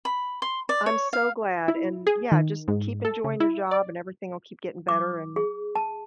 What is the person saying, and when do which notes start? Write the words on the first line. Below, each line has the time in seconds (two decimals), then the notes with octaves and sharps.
I'm so glad, and yeah, just keep enjoying your job and everything will keep getting better, and
0.05 B5
0.42 C6
0.69 D5
0.86 C#5
1.13 F5
1.68 E4
2.07 G#4
2.32 D#3
2.68 G#2
3.05 A4
3.24 C#3
3.40 E4
3.71 D5
4.88 D6
5.36 G#4
5.75 A5